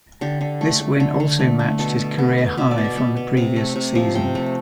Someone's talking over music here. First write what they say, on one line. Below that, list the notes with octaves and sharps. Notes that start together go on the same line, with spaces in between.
This win also matched his career high from the previous season.
D3 G4
D3
A3
A3
D3
D3
A3
A3
B2 A4
B2
B3
B3
B2 E5
D5
B2
E5
B3
B3
C3
A3
C3
F3
C3 G5
A3